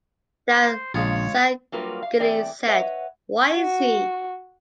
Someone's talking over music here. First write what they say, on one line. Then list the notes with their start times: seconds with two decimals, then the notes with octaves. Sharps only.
That Sangili said, "Why is he?"
0.50 C5
0.94 A#1 C#3 G#3 F4 C#5
1.72 F#3 G3 A#3 F4 A#4 B4
2.02 F5
2.19 E2 E3 C4 G#4 D5 G5
2.67 B4 C#5 D#5 E5 F#5
3.55 F#4